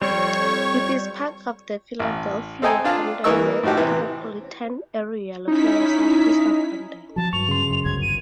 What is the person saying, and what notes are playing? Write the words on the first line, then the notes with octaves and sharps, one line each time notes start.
It is part of the Philadelphia-Camden metropolitan area, located southeast of Camden.
F2 G3 C4 C#5 C#6
A1
C4 A4 D#5 G5 G#5 A#5
D4 F4 F5 A5
E3 A#3 A#4 D#5 C#6 E6
A2 F3 D#4 F#4 G4
C3 E3
C#4 D#4 E4 B6
F3 F#3 A5
G2 F#3 C#6 F7
C#3 C6
F#2
G1 C2 F#2 G#6
D#7